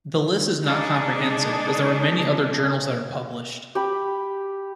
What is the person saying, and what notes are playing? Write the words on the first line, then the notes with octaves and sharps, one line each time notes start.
The list is not comprehensive, as there are many other journals that are published.
G#3 D4 D#4 G#4 A4 D5
G4 B5